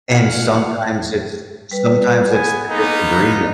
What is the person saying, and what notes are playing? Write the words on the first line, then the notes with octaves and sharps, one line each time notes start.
And sometimes it's sometimes it's the disagreement.
A#2 F#4 F5 F#5 G#5
G3 B4
B3 G#4 G#5
A#3 B3 D#4